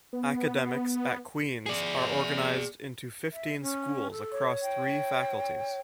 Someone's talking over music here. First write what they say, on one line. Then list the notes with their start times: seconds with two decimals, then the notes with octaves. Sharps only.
Academics at Queen's are organised into fifteen schools across three faculties.
0.13 B3
1.66 G#4 D5
3.33 E5
3.62 C#4
4.11 A4
4.32 C#5
4.62 G5